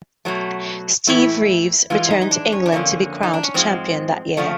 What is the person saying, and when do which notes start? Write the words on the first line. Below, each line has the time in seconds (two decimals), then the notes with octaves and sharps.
Steve Reeves returned to England to be crowned champion that year.
0.25 B2 F#3 A3
1.07 A2 E3 A3 E4
1.90 G#2 E3 G#3 F4
2.11 D#4
2.22 D#4
2.31 D4
2.52 C#4
2.66 D4
2.72 F2 D3 G3 A#3 C#4
3.23 D#4
3.33 D4
3.44 C#4
3.54 G#2 F3 G#3 C4
4.37 C#3 F3 A3